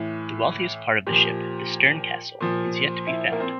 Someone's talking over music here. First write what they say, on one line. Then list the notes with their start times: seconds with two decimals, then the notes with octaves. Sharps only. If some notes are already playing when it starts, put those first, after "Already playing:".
The wealthiest part of the ship, the stern castle, is yet to be found.
Already playing: A2 E3
1.07 A#2 F3 G4
2.41 A#2 F3
3.07 E4
3.32 A#3
3.40 C4